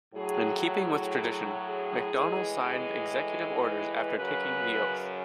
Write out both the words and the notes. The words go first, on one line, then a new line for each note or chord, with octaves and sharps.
In keeping with tradition, McDonnell signed executive orders after taking the oath.
A2 F#3 G#4
G#4
G#4
A2 E3 G#3
G#4
A4
B4
F#2 C#3 F#3 B4